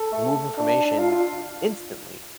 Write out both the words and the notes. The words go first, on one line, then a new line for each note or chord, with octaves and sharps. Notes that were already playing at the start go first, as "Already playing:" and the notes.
move information instantly,
Already playing: A4
A3
D4
D4
F4
F4